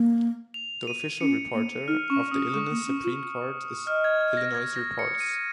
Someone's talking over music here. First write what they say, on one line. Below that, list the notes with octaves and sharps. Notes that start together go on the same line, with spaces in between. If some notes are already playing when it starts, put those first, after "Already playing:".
The official reporter of the Illinois Supreme Court is "Illinois Reports".
Already playing: A#3
F7
D#7
C#4 C#7
A#3
D#4 F6
C#4 C#6
C#4 D#6
G#3 C#6
A#3
C#4
F4
D#5 F6
G#6
F6
A#6
G#6
A#6
C#7
C#7
D#7